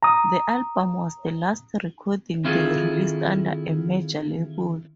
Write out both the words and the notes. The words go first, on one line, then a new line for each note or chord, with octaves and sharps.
The album was the last recording they released under a major label.
A#5 D#6
D#3 C4 E4 F4 G#4 A4